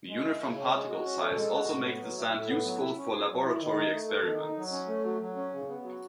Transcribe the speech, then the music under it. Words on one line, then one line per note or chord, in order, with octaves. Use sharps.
The uniform particle size also makes the sand useful for laboratory experiments.
G#3
E4
C#3
C#4
G#3
F#4
C#4
A4
G#3
F#4
A2
B3
F#3
E4
A2
B3
F#3
E4
C#4
G#4
F#3
E4
D#3
D#4
A3
A4
D#3
D#4
F#3
C#4
A3
F#3
F#3
C#4
C#3
B3
F#3